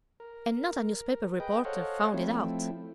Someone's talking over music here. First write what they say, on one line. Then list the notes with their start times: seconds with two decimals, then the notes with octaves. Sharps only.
And not a newspaper reporter found it out!
0.20 A#4
1.40 G#4 B4 D#5 G5
1.65 A4 C5 C#5 D#5 F5 F#5
2.14 F3 A3 C4 E4